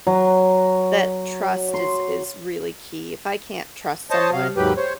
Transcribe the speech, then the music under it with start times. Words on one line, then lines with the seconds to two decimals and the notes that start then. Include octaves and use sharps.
that trust is is really key. If I can't trust someone,
0.07 F#3
1.74 C6
4.10 C5 C#5 D#5 A5
4.32 C3 F5
4.57 D#2 G#2 F#3 G4 B4
4.77 C5 C#5